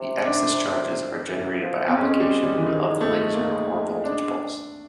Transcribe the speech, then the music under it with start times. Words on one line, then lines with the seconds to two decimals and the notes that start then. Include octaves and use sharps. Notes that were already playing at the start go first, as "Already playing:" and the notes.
The excess charges are generated by application of the laser or voltage pulse.
Already playing: C3
0.25 D4
1.28 E3
1.62 F3
1.88 C4
1.97 G#3 C#4
2.20 G3
2.43 G3
2.58 E3
2.66 D#3
3.01 A3
3.35 A#3
4.04 D4